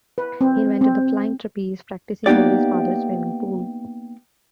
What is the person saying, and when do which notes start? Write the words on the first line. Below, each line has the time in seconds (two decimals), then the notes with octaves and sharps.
He invented the flying trapeze, practising over his father's swimming pool.
0.18 B4
0.41 C4
0.81 C4
2.26 A#3 B3 D#4 G4 D5